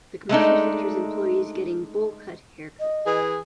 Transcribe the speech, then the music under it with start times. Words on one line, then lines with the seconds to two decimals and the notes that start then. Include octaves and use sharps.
The commercial features employees getting "bowl cut" haircuts.
0.29 G#3 A3 D4 D#4
2.80 D#5
3.06 E3 G#4